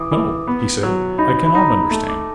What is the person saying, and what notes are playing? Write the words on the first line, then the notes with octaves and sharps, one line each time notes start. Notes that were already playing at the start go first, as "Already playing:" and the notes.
"No," he said, "I cannot understand."
Already playing: E3 D6 D#6
E3
B3
F#3
D#4 B5
B5
D#4 A#5
A3 A5
D6